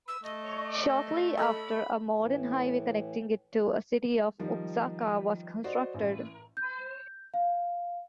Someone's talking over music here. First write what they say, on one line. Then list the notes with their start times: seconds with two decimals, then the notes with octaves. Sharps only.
Shortly after, a modern highway connecting it to the city of Oaxaca was constructed.
0.08 E6
0.24 A3 D#5
1.37 A4 D#5 B5
2.19 A2 E3
4.39 D#3 F3 G3 D#4
5.64 F#4 C5 D5 D#5
5.94 A1
6.57 G6
7.34 F5